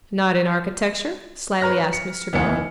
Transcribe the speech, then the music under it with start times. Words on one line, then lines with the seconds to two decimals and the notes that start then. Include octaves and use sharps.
'Not in architecture?' slyly asked Mr. Bell.
1.61 B4 C#5 A#5 F6 A#6
1.93 C#7
2.33 F1 D#2 E3 C#7